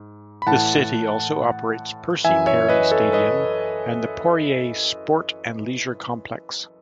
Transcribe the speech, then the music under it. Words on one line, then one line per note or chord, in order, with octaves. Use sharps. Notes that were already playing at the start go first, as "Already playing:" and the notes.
The city also operates Percy Perry Stadium and the Poirier Sport and Leisure Complex.
Already playing: G#2
B5
A2 E3 F#5 A5
F#2 E3 E5 G#5
C#5 E5
B4 D#5
A4 C#5
B4 D#5